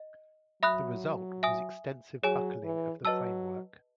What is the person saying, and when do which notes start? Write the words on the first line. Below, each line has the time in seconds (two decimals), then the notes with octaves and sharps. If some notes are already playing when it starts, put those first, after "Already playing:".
The result was extensive buckling of the framework.
Already playing: D#5
0.62 F#3 E5 B5 D#6 F#6
1.43 E5 G#5 D#6
2.23 F#3 G#4 C#5 G#5
2.63 E3
3.04 F#3 B4 D#5 A5 E6